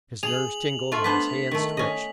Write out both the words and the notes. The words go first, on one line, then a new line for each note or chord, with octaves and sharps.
His nerves tingled and his hands twitched.
G#4 F7 F#7
A3 F4 E5
B3 D4 C5 B6
D#3 A3
C#4 D#5